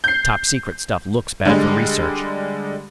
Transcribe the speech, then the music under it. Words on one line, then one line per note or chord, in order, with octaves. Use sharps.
The topsecret stuff looks bad for research.
G6 C7
D3 G3 G#3